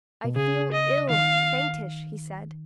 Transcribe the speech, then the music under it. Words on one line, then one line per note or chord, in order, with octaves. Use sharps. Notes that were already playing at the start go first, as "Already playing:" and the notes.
"I feel ill--faintish," he said.
B2
C#3 G#4
D#5
D#3 F5